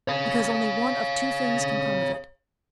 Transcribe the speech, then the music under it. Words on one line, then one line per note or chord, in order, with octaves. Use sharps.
"Because only one of two things can come of it."
C#5 F5